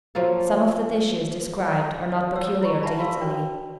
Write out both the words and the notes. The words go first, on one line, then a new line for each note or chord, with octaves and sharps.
Some of the dishes described are not peculiar to Italy.
F3 F#3 A#3 A4
C#5 F#5 D#6 E6
E4 B5 C#6
B4 E5 F#5 G#5 A5 B5
G4 A4 F5 C6 D#6 E6
D4 F#4 B4 C#5 G5